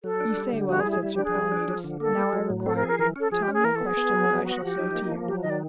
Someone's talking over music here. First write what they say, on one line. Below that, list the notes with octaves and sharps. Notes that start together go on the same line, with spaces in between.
Ye say well, said Sir Palomides; now, I require you, tell me a question that I shall say to you.
F#3 A4
D4
G3
D3
G3 F#4
G#4
E4
G#4
G3
G4
D4
G#4
G3
D4
F3
D3
A#3 A4
G3
F#3
A2
C4 A4
A#4
G#4
A#4
E3 A#4
C#4 A4
F3 G#4
G4
C#4
G#4
E3 A#4
A4
B3
G#4
B3
F#3
B3
F#4
F3 G4
D#4
A#3
F3
F#3 G4
D#3 D#5
D5